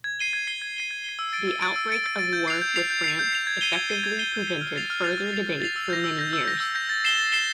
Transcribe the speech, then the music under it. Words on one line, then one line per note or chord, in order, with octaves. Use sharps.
The outbreak of War with France effectively prevented further debate for many years.
G#6
C7 D#7 G7
G#6
C7 D#7 G7
G#6
C7 D#7 G7
G#6
C7 D#7 G7
E6
A6 D7
E6
A6 D7
E6
A6 D7
E6
A6 D7
G6
C7 F7
G6
C7 F7
G6
C7 F7
G6
C7 F7
G#6
C7 D#7 G7
G#6
C7 D#7 G7
G#6
C7 D#7 G7
G#6
C7 D#7 G7
F6
A6 C7 F7
F6
A6 C7 F7
F6
A6 C7 F7
F6
A6 C7 F7
E6
G6 A#6
E6
G6 A#6
E6
G6 A#6
E6
G6 A#6
A6
C7 E7 G7
A6
C7 E7 G7